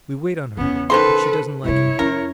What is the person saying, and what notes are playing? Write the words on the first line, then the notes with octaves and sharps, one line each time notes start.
We wait on her, but she doesn't like it.
E2 C#3 B3 C#4
D#3 A4 B4 C5 C6
G2 C3 E4 C#5
F2 C#4 A#4